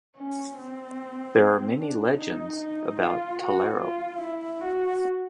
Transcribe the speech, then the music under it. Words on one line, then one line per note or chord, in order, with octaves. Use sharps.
There are many legends about Tellaro.
C#4
C4
D4
D#4
D#4
F4
F#4
F4
E4
F#4